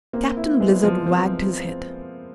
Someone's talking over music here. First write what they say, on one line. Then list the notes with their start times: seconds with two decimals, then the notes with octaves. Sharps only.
Captain Blizzard wagged his head.
0.13 A#3 C4
0.37 E4
0.60 G#3 B3
0.83 F3
1.06 C4